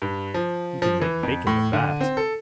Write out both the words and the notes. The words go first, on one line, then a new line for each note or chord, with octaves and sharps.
You can make bacon of that.
G2
F3
F3
E3
F2
A2
D3
C4
A4